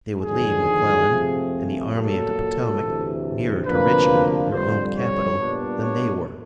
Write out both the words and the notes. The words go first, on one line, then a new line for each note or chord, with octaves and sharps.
They would leave McClellan and the Army of the Potomac nearer to Richmond, their own capital, than they were.
D#2 D3 F3 G#4
F2 C3 F3 A3 C4
A#2 F#3 A#3 A4
D2 C3 E3
D2 C3 F3 A#3 D4 B4
F2 D3 G3 C5
C#5
A#2 G3 B3 D4
C#5